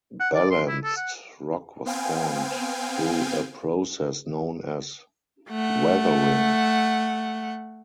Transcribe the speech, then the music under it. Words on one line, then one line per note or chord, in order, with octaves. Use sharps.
Balanced rock was formed through a process known as weathering.
F#5
D5
C6
E4
A4
F#5
B3 C4 F5 G5 G#5
A3 F#5